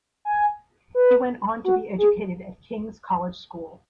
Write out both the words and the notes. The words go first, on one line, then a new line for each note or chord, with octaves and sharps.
He went on to be educated at King's College School.
G#5
B4
F#4
G#4